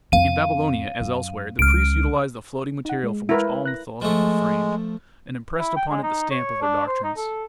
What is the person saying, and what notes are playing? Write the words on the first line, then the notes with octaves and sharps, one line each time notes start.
In Babylonia, as elsewhere, the priests utilized the floating material from which all mythologies were framed, and impressed upon it the stamp of their doctrines.
F2 C4 F5 D#7
F#2
C#2 F6 D7
D#4 F#5
G#3
E4 A#4 B4
F#6 A#6
F3 G#3 A3
E4
G5
G#3
D#4
C#5
D4
C5
D#4
A4